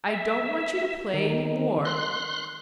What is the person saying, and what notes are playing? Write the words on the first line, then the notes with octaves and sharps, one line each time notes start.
I don't want you to play any more.
E5
D#3
C6 F#6